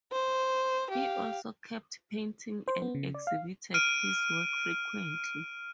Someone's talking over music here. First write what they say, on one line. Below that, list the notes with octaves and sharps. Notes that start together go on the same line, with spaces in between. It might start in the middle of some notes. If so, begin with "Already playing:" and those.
He also kept painting and exhibited his work frequently.
C5
G4 F5
C5
B3
C#3
D5
F5
F6 D7 D#7